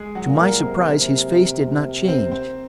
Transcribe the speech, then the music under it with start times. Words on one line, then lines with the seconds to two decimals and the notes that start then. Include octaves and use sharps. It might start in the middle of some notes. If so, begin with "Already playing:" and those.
To my surprise his face did not change.
Already playing: G#3 G#4
0.15 F#3 F#4
0.27 A#2
0.39 A#3 A#4
0.63 C3
0.99 C3
2.08 C4 C5
2.31 C4 C5